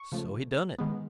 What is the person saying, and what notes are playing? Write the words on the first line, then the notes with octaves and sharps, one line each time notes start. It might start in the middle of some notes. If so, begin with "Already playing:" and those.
So he done it.
Already playing: C#6
C#3 F3 A3
G#2 D#3 G#3 B3